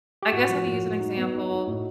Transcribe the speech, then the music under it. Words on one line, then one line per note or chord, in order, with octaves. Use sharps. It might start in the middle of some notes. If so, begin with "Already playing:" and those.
I guess I could use an example.
G4
A2 F#4
F3
A2
A2
D#4
B3
D#4
D#4
A2